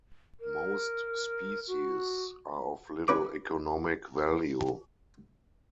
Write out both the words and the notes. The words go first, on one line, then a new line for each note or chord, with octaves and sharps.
Most species are of little economic value.
A#4
F#4
C#4 B4 D6